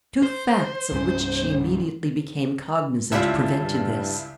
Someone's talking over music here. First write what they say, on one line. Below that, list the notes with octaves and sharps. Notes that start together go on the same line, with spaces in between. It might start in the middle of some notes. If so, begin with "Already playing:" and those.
Two facts of which she immediately became cognisant, prevented this.
C5
C2 G2 C#4
C#2 G3 E4 F4 E5 A5
G2